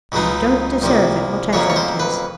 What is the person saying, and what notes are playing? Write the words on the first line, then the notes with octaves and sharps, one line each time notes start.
You don't deserve it, whatever it is.
C#2 C#3 F#3 B3 D#4
C2 C3 F3 A#3
F2 C#3 F#3 A#3 C#5
C#5
C5
B4